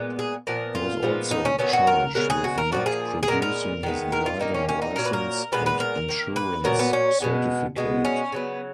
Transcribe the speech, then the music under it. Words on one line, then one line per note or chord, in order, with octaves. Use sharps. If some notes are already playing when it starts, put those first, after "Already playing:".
He was also charged with not producing his driving licence and insurance certificate.
Already playing: A#2 G#3 B3
G#4
A#2 F3 B3 A#4
F4
A#2 F3 G#3 B3
D#4
C#4
D#3 F#3 B3 C#4
F#4
A#4
C#3 G#3 B3 A#4
G#4
F#4
A#4
A#2 F3 A#3 F#4
G#4
G#4
A#2 G#3 B3 A#4
A#4
D#3 G#3 B3
A#4
F4
D#3 A#3 D#4
C#4
C#4
D#4
A#2 F#3 A#3 A#4
B4
A#4
A#2 G#3 B3 B4
B4
A#4
D#3 A#3
B4
A#2 F#3 B3 A#4
B3
C#4
B2 G#3 B3
B2 G#3 B3
C#4
C#3 F#3 B3